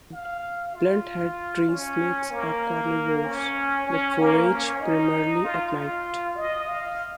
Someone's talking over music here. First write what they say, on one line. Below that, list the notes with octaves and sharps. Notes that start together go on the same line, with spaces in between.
Blunthead tree snakes are carnivores that forage primarily at night.
F5
F4
C#4
A#3
C#4
C#4
A#3
C#4
D#4
F4
F4
D#5
F5